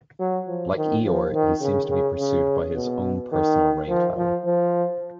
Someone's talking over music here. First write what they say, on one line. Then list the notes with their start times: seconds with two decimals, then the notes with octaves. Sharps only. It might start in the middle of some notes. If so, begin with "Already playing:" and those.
Like Eeyore, he seems to be pursued by his own personal raincloud.
0.20 F#3
0.47 F3
0.77 D#3
1.04 F3
1.33 D#3
1.61 C#3
1.89 C#3
2.18 C#3
2.75 B2
3.32 D#3
3.88 F3
4.17 F3
4.45 F3